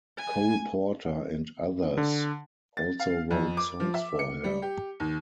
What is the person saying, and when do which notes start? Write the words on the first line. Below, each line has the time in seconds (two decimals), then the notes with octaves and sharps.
Cole Porter and others also wrote songs for her.
0.18 G#5
1.97 D3
2.77 A6
3.00 F5
3.31 F2
3.57 D6
3.80 F3
3.94 E5
4.19 C#7
4.44 G3
4.62 G4
5.00 D#2